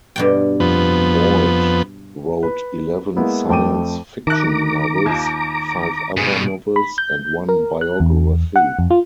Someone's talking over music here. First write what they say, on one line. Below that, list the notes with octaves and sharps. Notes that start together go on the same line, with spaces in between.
Boyd wrote eleven science fiction novels, five other novels, and one biography.
G2 B2 G5
F2 B3
B4
G#3 A#3 B3 E4
F2 A3 G5 D6 D#7
D#3 A5 A#5 D6 F#6
D#2 F4
G2 B2 G#4
B5
G6
A#4
F#6
E2
F#5
F2
F4